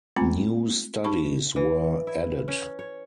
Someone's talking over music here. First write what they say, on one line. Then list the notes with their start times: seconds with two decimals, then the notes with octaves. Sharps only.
New studies were added.
0.16 G#3 A3 C4 F4 G#5 B5
1.04 D#4 G4 A5 B5 C#6
1.56 E3
2.07 E4
2.48 C#4
2.79 C#5